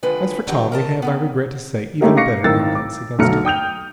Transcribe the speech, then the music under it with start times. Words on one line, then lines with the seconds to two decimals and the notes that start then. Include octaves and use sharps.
"As for Tom, we have, I regret to say, even better evidence against him."
0.03 D#2 D3 F3 G#3 B4
0.47 D3 F#3 G4 G5
0.72 A#4 D#5 A5
1.02 D#3 E3 B3
2.01 G#3 A3 C#4 D#4 G4 A#4
2.16 F5 C#6 D6 A#6 C7 C#7
2.44 G#1 A2 D#3 A#4 E6 A6
2.75 D6
3.19 B1 D3 A3 A#5 F6 C#7
3.45 G5 D#6 G6 F7